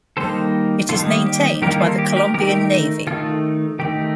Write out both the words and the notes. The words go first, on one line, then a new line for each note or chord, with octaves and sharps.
It is maintained by the Colombian Navy.
D#3 G3 A#3 D#4 A4 C5
D#3 G3 A#3 D#4 F4 A4
G4
D#3 G3 A#3 D#4 G4 A#4
F4 A4
G4
G4 A#4
D#3 A3 D#4 G4 A#4
D#3 A3 D#4 F4 A4
D#3 A3 D#4 G4